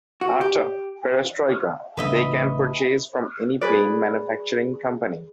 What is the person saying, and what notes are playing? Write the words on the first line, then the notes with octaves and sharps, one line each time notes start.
After Perestroika, they can purchase from any plane manufacturing company.
F#4
G4
A1 C#3 D4 B4 D#5 E5
G#4 B4 D5